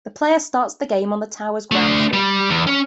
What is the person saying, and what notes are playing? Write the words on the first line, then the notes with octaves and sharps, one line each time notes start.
The player starts the game on the tower's ground floor.
A3 D4
G3
E2
C#4